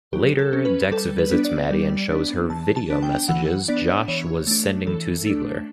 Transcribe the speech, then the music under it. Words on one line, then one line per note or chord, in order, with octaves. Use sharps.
Later, Dex visits Mattie and shows her video messages Josh was sending to Ziegler.
F#3 G4
A4
C#4
B4
G3 A4
B4
B3 D4
D5
G3
B3 D4
E3 A5
A5
B3 D4
G5
E3 F#5
B3 D4 D5
E3 C#5
A3 D4
E3 A4
A3 D4